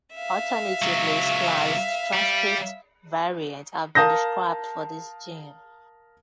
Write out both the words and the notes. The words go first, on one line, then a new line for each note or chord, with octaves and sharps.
Alternatively spliced transcript variants have been described for this gene.
E5 F5
C#2 F#3
G3
A#4 F5 A5 D#6 G6 A#6